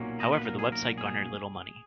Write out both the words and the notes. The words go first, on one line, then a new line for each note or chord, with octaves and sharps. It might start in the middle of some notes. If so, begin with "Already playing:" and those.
However, the website garnered little money.
Already playing: B1 A#2 F#3 A#3 C#4
D#5
B4
A#4
G#4
A#4
G#4